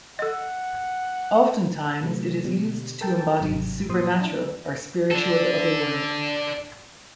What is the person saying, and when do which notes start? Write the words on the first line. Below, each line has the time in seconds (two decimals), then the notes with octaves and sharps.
Oftentimes it is used to embody the supernatural or spiritual other world.
0.19 A4 D#5 F#5
2.03 C3 E3 F#3 A3
2.44 B2 D3 G3
3.01 A4 A#4 G5 A5
3.41 G#1 G2 C3 F#3
3.89 G2 A#2 F3 C5 C6 D#6
4.21 D4 E4
5.11 D4 A4